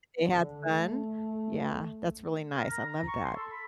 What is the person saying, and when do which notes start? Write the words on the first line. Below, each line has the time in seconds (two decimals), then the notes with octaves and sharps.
They had fun? Yeah, that's really nice. I love that.
0.36 D3
0.68 A3
2.54 A#4
2.71 A#5
2.88 A#5
3.08 C#6
3.24 C6
3.36 A4
3.52 B5